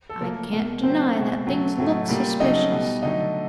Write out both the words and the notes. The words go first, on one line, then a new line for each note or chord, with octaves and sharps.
I can't deny that things look suspicious.
A4
A#2 F3 A3 A#3 A#4
B2 G#3
C#3 F#3 A3 C4 C5
B2 G#3
C#3 F#3 A3
A2 F#3 A3
A#2 G3
C#3 F#3 A3 D#4 D#5
B2 G3
D3 F#3 A3 D#4 D#5